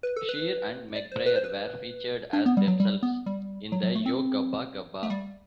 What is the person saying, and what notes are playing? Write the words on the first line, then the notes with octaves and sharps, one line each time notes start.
Scheer and McBrayer were featured as themselves in the Yo Gabba Gabba!
B4
A4
B4
D5
C5
B4
C5
B4
D4
B3
G3
F#3
G3
B3
G3
F#3
F#3
A3
C4
A3
G3